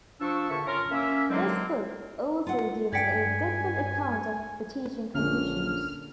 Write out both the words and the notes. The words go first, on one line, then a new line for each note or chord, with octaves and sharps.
This book also gives a different account of the teaching conditions.
F3 D4 C#6 E6
E2 A#2 D3 E5 A5 C#6
C#4 F4 A#4
A#3 C#4 E5
D3 D#3 F#3 G#3 A#3 C4
F4 F#5
G2 D5 G5 G#5 G#6 B6 C#7
A#1 D3 A#3 C#4 D4 F6